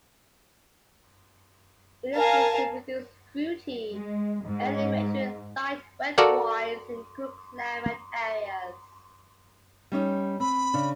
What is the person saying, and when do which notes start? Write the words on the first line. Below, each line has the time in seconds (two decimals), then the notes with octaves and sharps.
It is used to produce fruity, early maturing light red wines in cool-climate areas.
2.16 A#4 F5 G#5 A5
3.92 G#3
4.44 G#2
6.18 F#4 A4 A#4 D5 F5 F#5
9.92 G3 C#4 D#4
10.40 C4 B5
10.74 C#3 D4